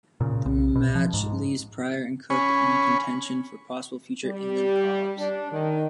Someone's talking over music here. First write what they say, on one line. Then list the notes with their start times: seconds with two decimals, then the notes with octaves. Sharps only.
The match leaves Prior and Cook in contention for possible future England call-ups.
0.21 A#2 C#3
0.45 B1
0.75 B2
0.95 F3
1.14 G#2
2.30 C#4 G#5 B5 C#6
4.24 G3
5.18 D4
5.51 D#3